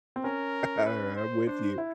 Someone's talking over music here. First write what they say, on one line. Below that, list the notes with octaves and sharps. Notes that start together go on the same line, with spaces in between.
Alright. I'm with you.
C4
C#4 A#4
B4
C5
D4 C5
E4